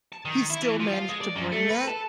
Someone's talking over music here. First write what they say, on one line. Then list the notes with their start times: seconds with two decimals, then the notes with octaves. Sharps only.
he still managed to bring that,
0.12 A5
0.25 D#3
0.50 E4
0.62 E3
0.80 F3
0.93 F4
1.08 G#3
1.21 D5
1.36 F#2
1.52 A3
1.70 B4
1.87 A4